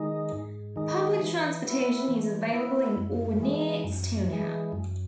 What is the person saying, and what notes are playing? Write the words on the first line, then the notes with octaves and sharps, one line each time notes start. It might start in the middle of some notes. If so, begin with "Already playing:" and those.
Public transportation is available in or near Stoneham.
Already playing: D#3 G#3 D#4
G#2
D#3 G#3 D#4
E3
B3 E4
E3
B3 E4
F#2
E3 G#3
F#2
E3 G#3
F#2